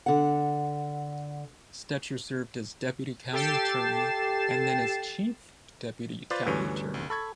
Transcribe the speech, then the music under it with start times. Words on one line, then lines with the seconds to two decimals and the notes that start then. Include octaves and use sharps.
Stecher served as deputy county attorney and then as chief deputy county attorney.
0.06 D3 F#5
3.33 G4 A4 G5 A6 C7 E7
6.31 F4 B4 C5 D5
6.47 D2 G2 E3 C#4
6.94 C2
7.10 A4 B5 C#6 G#6